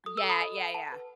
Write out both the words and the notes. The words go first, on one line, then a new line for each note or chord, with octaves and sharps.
Yeah, yeah, yeah.
A4 D#6
E6
A4
B5 D#6
D#5
F#5
F#5 A5
B4